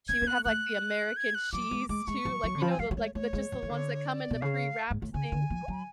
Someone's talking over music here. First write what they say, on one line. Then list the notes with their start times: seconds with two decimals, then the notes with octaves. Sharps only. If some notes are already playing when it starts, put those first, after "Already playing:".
She would have like the American cheese, too. Like, you know, the like, the just the ones that come in the pre-wrapped thing. Ooh.
0.08 C#4 G#6
0.22 C#4
0.27 B3 F#6
0.45 A3 F#6
1.17 G#6
1.35 F#6
1.53 F#3 D6
1.71 G#3
1.89 G#3 D6
2.07 G#3 C#6
2.25 F#3
2.44 F#3
2.55 D3
2.61 F3 B5
2.70 G#5
2.79 F#3 F5
2.91 F#3
2.97 G#3 C#5
3.15 A3 C#5
3.33 G#3
3.52 F#3
3.63 F3
3.69 D3
4.06 D5
4.31 B2
4.41 C#3 F5
4.91 G#2
5.02 A2
5.14 C#3 G#5
5.32 D3
5.50 F3
5.68 F#3